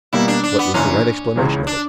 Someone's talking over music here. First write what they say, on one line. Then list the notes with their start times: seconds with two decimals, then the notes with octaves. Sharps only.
What was the right explanation of it?
0.13 B2 G3 A#3 E4
0.28 D4
0.44 D4
0.59 B3
0.74 F#1 F#2 E3 C#4
1.36 C#2 C#3 E3
1.67 D4